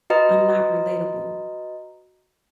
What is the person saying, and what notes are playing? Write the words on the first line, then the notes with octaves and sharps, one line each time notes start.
I'm not relatable.
F#4 B4 D#5 A#5